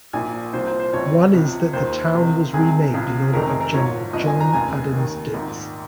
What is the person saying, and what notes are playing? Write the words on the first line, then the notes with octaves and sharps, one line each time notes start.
One is that the town was renamed in honor of General John Adams Dix.
A#1 A#2 F3 G#5
C2 A#2 F3 C5
C5
C5
G1 F2 C#3 C#5
C#2 C3 F3
D#2 D#3 C5
C#2 C3 D#3
C2 C3 D#3 G#4
C#2 C#3 F3
F1 F2 C3 D#3 A#4
G#4
A#4
G#1 G#2 F3 C#5
G1 F2 C#3 F3 D#5
G#5
A#5
F1 D#2 C#3 G#5
D#2 D#3
A#1 G#2 D#3